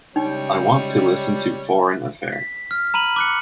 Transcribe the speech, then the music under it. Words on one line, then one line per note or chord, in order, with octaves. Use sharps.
I want to listen to Foreign Affair.
C#3 G3 G#3 D#4 C#5 G5
B6
F6
A#5 B5 D#7 F#7
D6 F#6 C#7